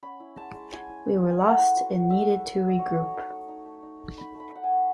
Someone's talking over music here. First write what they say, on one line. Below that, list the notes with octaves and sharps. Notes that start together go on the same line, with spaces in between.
We were lost and needed to regroup.
C#4 B5
E4
G#3 A5
G#3
C#4 G#5
E4
G#3
G#3
G#5
A3 F#5
E4
F#3
F#3
A3 E5
E4
F#3
F#3
D#5
D#4 C#5
A3
D#4
A3
D#4
A3
D#4
A3
D#4 B5
A3
B5
D#4 F#5
G#5
A3